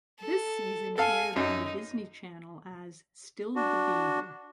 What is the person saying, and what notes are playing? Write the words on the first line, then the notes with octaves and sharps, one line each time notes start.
This season aired on The Disney Channel as "Still the Beaver".
A4
A4 F5 G#5
F#2 D#4
D4 F#4